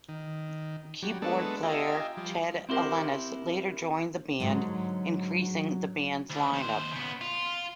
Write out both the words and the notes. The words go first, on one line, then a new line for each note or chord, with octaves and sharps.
Keyboard player Ted Ellenis later joined the band increasing the band's lineup.
D#3
F#3 G3
G#3 A3 B3 D4 A4
F4 G4 D#5 E5 G#5 A#5
F3 G3
C4 E4 G4 A#4 C5
G#2 D3 F#3
D2
D#2 C5
C#3 B3
F4